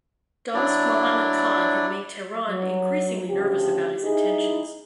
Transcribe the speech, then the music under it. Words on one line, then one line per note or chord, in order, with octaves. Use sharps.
Dost Mohammad Khan had made Tehran increasingly nervous about his intentions.
F#3 D4 E4 D5
F#3
D2 C#3 F3 G4
D#4 E4 G#4